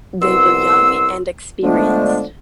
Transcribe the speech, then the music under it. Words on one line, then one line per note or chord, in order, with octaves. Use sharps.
They were young and experienced.
C2 B3 C6 E6
D3 F3 G#3 A3 B3 D4